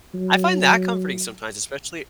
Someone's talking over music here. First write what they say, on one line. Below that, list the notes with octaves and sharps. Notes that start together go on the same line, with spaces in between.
I find that comforting sometimes, especially
F#3